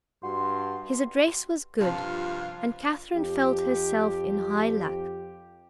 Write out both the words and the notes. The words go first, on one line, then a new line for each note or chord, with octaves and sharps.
His address was good, and Catherine felt herself in high luck.
G2 F#4 C6
G2 C3 F3 F4 F5
F2 G4